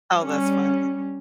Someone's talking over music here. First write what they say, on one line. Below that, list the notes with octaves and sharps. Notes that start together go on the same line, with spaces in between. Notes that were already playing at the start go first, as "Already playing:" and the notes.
Oh, that's funny.
G3 C#4